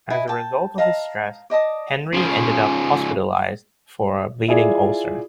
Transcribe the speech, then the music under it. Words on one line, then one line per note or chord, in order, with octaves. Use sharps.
As a result of his stress, Henry ended up hospitalized for a bleeding ulcer.
E4 B4 D#5 G#5
G5 A5
D#5 F5 A5 A#5
D5 D#5 A5 D#6
C#3 F3
E4 F4 G#4 D5